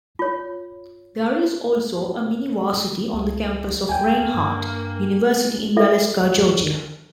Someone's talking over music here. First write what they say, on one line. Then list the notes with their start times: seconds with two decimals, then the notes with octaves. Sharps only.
There is also a mini-Varsity on the campus of Reinhardt University in Waleska, Georgia.
0.19 F4 C#5
3.13 C#2
3.89 D2 A#3 G5 G#5
4.34 G2
5.76 F4 A4 E5